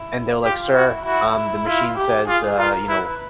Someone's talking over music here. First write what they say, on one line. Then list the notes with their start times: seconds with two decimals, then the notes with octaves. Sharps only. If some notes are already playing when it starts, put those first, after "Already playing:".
and they're, like, "Sir, um, the machine says, uh, you know,
Already playing: E4
0.44 F4 G4
0.75 E4 F#4
1.05 E4 F#4
1.36 E4
1.66 E4 F4
1.98 G4
2.28 F4 G#4
2.59 F4 A#4
2.89 E4 B4